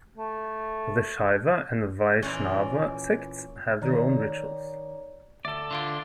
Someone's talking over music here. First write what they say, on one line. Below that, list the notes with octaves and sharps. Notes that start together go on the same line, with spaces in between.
The Shaiva and Vaishnava sects have their own rituals.
A3
A#2 E3 C#4
D#3 A#4 C#5 D5 A#5
D2 A4 D5 E5
D3 F4 C6 D6 D7